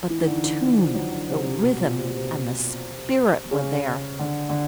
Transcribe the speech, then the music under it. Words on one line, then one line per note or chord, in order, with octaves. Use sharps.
But the tune, the rhythm, and the spirit were there.
E3
D#3
D3
D#3
E3
F3
F#3
D3
C3
C3
B2
A#2
C3
B2
C3
C#3
D3
D3